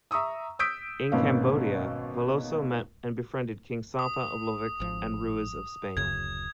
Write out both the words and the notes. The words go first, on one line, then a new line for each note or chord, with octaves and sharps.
In Cambodia, Veloso met and befriended King Satha of Lovek and Ruiz of Spain.
E5 A#5 C#6 D#6 E6
D#6 E6 G6 B6 D7
G#1 B2 A#3 B3 C#4 F5
D#6
G#1 F3
D1 F#2 C#3 G#6